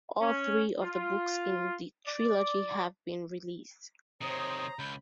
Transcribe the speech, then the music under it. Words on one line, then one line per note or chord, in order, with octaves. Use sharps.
All three of the books in the trilogy have been released.
C#4
F4
D5
C3 D#3 C5 C#5 A#5 D#6
C#2 B5 G6